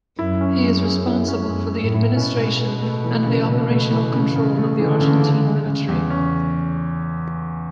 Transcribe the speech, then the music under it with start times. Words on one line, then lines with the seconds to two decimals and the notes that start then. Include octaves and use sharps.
He is responsible for the administration and the operational control of the Argentine military.
0.19 F#2 E4
0.41 C#4
0.62 G#3
0.85 G#4
1.07 E4
1.28 C#4
1.50 F#2 G#3
1.73 G#4
1.83 A2
1.94 E4
2.16 B2 C#4
2.39 G#3
2.60 G#4
2.82 A3
3.04 E3
3.26 C#3
3.48 C#3
3.70 A3
3.91 E3
4.13 C#3
4.36 C#3
4.57 A3
4.79 D3 E3
5.01 C#3
5.23 C#3
5.45 G#3
5.67 C#3
5.88 E2
6.10 C#4